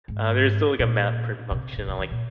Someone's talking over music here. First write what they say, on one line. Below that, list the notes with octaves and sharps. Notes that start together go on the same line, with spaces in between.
Uh, there's still, like, a map print function on, like,
G#2
A#2
C3
A#2
C3
D#3
A#2